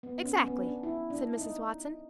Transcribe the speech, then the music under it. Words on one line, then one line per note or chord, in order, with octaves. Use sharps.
"Exactly," said Mrs. Watson.
B3
C#4
B3
D4
E4
D4
D#4